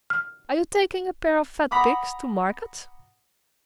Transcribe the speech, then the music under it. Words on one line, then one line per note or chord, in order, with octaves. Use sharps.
"Are you taking a pair of fat pigs to market?"
F6
F#5 A#5 B5 D6 D#6